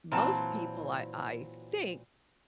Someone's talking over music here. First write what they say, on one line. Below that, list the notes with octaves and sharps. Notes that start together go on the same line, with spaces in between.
most people I I think
A#2 E3 F#3 C4 A5